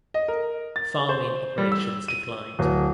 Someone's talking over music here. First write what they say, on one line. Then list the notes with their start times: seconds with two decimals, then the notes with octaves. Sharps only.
Farming operations declined.
0.14 D#5
0.28 A#4
0.76 A6
1.09 C5
1.58 G3
1.72 E6
2.08 D#7
2.59 D1